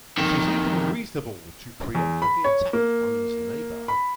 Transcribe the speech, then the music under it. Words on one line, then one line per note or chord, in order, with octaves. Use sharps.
It is even reasonable to preemptively attack one's neighbour.
F2 D#3
E2
B5
C#5
A#3
B5